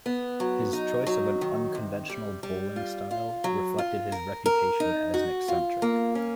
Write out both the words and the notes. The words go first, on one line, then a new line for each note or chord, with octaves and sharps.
His choice of an unconventional bowling style reflected his reputation as an eccentric.
B3
F#3
D#4
F#3
D#3
C3
G3
G3
F4
F4
F#3
F4
A#4
A#4
D#4
F#4
F4
A#3
C#4